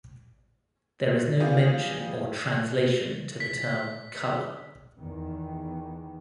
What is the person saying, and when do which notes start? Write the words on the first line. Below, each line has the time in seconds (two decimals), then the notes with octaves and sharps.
There is no mention or translation to the term "color".
1.40 B3 F4 G4 G#4 D5 F5
3.40 B6
4.99 E2 D#3